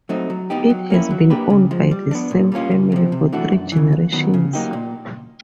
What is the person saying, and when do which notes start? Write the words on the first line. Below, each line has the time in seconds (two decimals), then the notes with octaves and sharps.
It has been owned by the same family for three generations.
0.09 F#3 A3 C4 D#4
0.30 F#3
0.50 B3 D#4 G4
0.70 F#3
0.90 A#3 C#4 E4
1.11 F#3
1.30 A#3 D4 G4 B4
1.50 C#3
1.71 F3 G#3
1.91 G3
2.11 B3 D4
2.31 A#2
2.52 G3 A#3 C#4 F4
2.71 C#2
2.92 C3 F3
3.12 C3
3.32 E3 A3 D4 F#4
3.52 F#2
3.72 C#3 E3
3.92 D#2
4.12 D#3 F#3 B3
4.34 C#3
4.53 F#3 A#3 D#4 G4
4.73 A#2